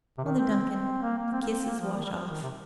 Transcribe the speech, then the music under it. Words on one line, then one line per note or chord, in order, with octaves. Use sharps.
"Mother Duncan, do kisses wash off?"
C3
D#3
C4
C4
A#3
A#3
C4
A#3
C4
A#3
F3
D#3
G3
F3
D#3
C3